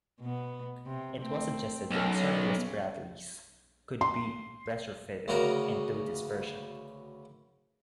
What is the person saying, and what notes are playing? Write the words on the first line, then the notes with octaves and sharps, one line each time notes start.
It was suggested that surplus Bradleys could be retrofitted into this version.
B2 B3
C3
A3 C4
B1 F#3 C#4
C6
D2 C#3 B3 F#4 A#4